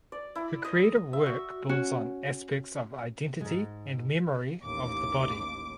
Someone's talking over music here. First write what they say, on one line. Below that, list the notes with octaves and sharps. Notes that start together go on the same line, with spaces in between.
Her creative work builds on aspects of identity and memory of the body.
D5
E4
D#5
E5
F#4
C#4 F#4
G#2 G#3
A1 D#2 D6